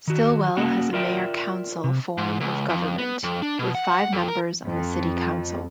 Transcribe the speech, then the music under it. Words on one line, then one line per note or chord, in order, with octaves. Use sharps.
Stilwell has a mayor-council form of government, with five members on the city council.
D#3 F#4
A#3 C#4 F#4 F#5
F4 A#4 D5 E5 G5
C3
G#2
C#2
F2
B3
F2
D4
B2
F#5
F2
A#4
F2